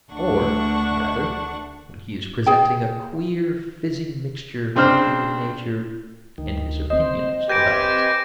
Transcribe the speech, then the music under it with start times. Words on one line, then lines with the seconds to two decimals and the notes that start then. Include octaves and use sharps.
Or, rather, when he is presenting a queer fizzing mixture of human nature and his opinions about it.
0.11 D2 A3 D4 F#5 C#6
2.46 G#4 G5
4.76 C#3 C4 D4 C5 F6
6.38 D2 D#3
6.90 C4 C5 D#5
7.49 G4 B4 C5 G#5 G6 A#6 D7